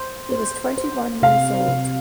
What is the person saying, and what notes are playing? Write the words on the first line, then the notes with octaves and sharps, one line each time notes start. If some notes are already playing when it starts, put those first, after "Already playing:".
He was twenty-one years old.
Already playing: C5
C5
C5
C3 F5
C3